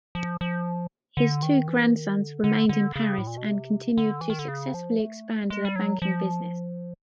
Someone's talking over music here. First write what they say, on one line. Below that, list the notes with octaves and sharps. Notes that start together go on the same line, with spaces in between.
His two grandsons remained in Paris and continued to successfully expand their banking business.
F3
F3
D3
D#3
E3
D#3
D3
D3
D3
C#3
A2
A#2
B2
C3
D3
E3
D#3
D3
C#3
F3
A3
G3
G#3
G3
F#3
F3